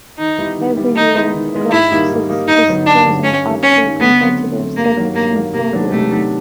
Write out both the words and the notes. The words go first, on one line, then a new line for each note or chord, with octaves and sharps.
Every year a class of six is chosen after a competitive selection program.
D#3 D#4
G3 B3 E4
D#3
G3 B3 E4
D#3 D#4
G#3 B3 E4
D#3
G#3 B3 E4
G#2 E4
D#3 G3 A#3 D#4
G#2
D#3 G3 A#3 D#4
G2 D#4
D3 F#3 B3 D#4
G2 D4
D3 F#3 B3 D#4
G2 C#4
D#3 G3 A#3 D#4
G2 C#4
D#3 G3 A#3 D#4
D3 B3
F#3 A3 C4
D3
F#3 A3 C4
G2 A#3
D#3 F#3 A#3
G2 A#3
D#3 F#3 A#3
C3 A#3
D#3 F#3 B3 D4
C3 A3
D#3 F#3 B3 D4